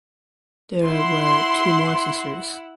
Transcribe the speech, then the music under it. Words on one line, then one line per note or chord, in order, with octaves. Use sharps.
There were two more sisters.
E4 F#5 C6